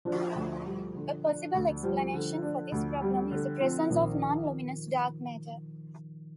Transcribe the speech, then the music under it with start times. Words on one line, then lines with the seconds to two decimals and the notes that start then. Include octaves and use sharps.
A possible explanation for this problem is the presence of non-luminous dark matter.
0.05 F3 D4
0.35 D2
0.65 G3
0.95 D3
1.24 D4
1.54 D2
1.83 F3 G3
2.13 D3
2.42 D4
2.72 D2
3.02 G3
3.31 D3
3.60 F3 C4
3.90 A#1 D#3